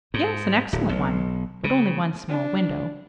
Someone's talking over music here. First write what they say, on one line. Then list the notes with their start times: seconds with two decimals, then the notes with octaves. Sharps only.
"Yes; an excellent one; but only one small window."
0.14 G#2
0.73 D1
0.89 B1
1.64 C#3
2.29 D4